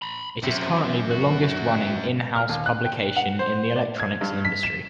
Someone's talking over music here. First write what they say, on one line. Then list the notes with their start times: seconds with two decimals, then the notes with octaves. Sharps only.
It is currently the longest-running in-house publication in the electronics industry.
0.02 A#5 B5
0.44 F#2 C4 E5
1.11 F#4
2.36 F6
2.49 D#2
2.66 F#6
2.85 G5
3.17 F#5
3.39 C5
3.76 D5
4.00 G#6
4.21 G2
4.45 B6
4.63 E7